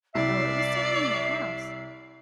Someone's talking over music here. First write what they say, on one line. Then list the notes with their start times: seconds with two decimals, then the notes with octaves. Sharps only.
No, it was certainly in the house.
0.15 C2 D5 E5 C7